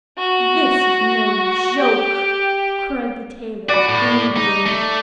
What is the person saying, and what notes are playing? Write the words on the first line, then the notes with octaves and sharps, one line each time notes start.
"This is no joke," cried the tailor, angrily.
F#4
G4
F#4 D5 B5
A2
D#4
A3